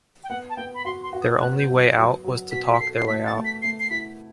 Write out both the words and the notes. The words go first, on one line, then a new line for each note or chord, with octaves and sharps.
Their only way out was to talk their way out.
G5
B3 F#5
A5
B3 G5
B5
F#4 C6
C6
F#4
D#6
B3 F#6
G6
F#3
F#3
F#3
B2 B6
B6
A4 C7
C7
A3 B6
A6
A3
B6
A3 C7
C7
E4 B6